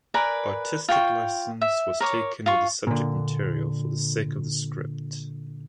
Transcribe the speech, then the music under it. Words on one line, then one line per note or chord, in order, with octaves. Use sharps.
Artistic license was taken with the subject material for the sake of the script.
A#4 B4 D5 G#5
F4 G5 C#6
E5
A#4 C#5 D6
F4 C#6
A#2 D3